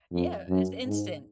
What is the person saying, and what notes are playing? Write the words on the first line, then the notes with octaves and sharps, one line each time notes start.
Yeah, and it's instant.
F2
F#2
G#2